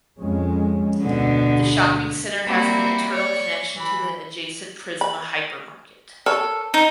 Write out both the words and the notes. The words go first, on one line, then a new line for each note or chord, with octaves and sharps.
The shopping center has an internal connection to the adjacent Prisma hypermarket.
F2 G#3 C#4
D2 B2 D3
G3 A#3 C4 E4 F#4 G4
C#5 D5 C#6
E3 B5
B5
A4 A#4 C#5
D#4